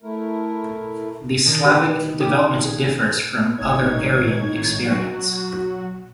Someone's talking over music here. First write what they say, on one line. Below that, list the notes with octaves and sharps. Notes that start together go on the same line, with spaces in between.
The Slavic development differs from other Aryan experience.
A3 E4 A#4
D#3 D4 D#4
G4 B4
G4 D#6
G#4
G#1 A2 D#4 C#5 G#6
F#3 F#4